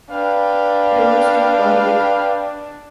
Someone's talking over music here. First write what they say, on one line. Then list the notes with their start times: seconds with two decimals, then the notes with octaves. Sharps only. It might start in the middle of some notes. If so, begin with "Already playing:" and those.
Rules To Prohibit.
0.11 D4 B4 F5 G5